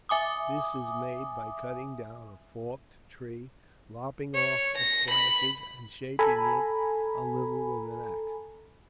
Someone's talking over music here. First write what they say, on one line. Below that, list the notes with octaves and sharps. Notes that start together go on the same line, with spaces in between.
This is made by cutting down a forked tree, lopping off its branches, and shaping it a little with an axe.
E5 G#5 D6 D#6
C#5
A#6
B5
A4 G#5 A#5 B5